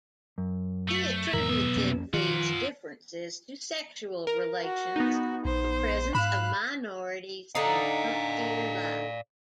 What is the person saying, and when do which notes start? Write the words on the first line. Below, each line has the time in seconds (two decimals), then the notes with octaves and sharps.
He attributed these differences to sexual relations, the presence of minorities and frontier life.
0.38 F#2
0.88 A3
1.33 B1 E2 G#2 D#3 A#4 E5
1.49 B3
1.76 F2 A#3 C#4
2.13 D#3 F3 F4 C5 F#5
4.27 A#4
4.64 F#4
4.96 B3 D#4
5.45 A#1 C5
6.15 G#2 F5 B5 F#6 E7
7.55 D3 D#4 D5 F5